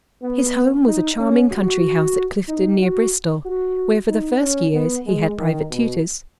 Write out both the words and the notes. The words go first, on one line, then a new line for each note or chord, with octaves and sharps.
His home was a charming country house at Clifton near Bristol, where for the first years he had private tutors.
B3
D#4
C#4
F#4
D#4
F#4
F#4
D#4
C#4
B3
G#3
D#3
B2